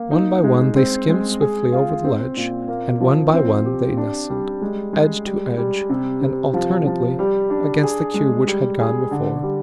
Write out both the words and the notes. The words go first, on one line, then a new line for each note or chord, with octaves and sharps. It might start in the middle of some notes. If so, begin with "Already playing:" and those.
One by one they skimmed swiftly over the ledge; and one by one they nestled, edge to edge and alternately, against the cube which had gone before.
Already playing: A#3
D#4
G#3
C4
G#3
G#4
F4
C4
A#2
A#3
F3
C4
G4
D4
G3
G#3
G#3
G3
G3
C3
C3
F3
F3
G3
D4
G#4
G#3
G3
G#4
D3
G3